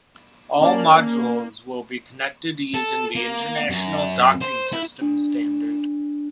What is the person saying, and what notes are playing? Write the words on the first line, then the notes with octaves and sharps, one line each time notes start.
All modules will be connected using the International Docking System Standard.
A#3 C#4 D5 A5
A4
A#3
F#2
C5
E4
D4